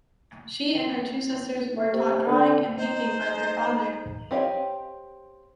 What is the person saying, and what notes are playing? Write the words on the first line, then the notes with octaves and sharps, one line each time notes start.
She and her two sisters were taught drawing and painting by their father.
A3
C3
D3
D#4 C5
C4 G4 C#5 D#5 F5